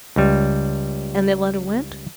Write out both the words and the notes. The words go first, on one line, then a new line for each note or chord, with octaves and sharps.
And the letter went?'
C#2 G3